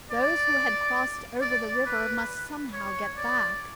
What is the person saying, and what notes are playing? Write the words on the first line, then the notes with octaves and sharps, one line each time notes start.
Those who had crossed over the river must somehow get back.
D5
D5
B4
C#5
D5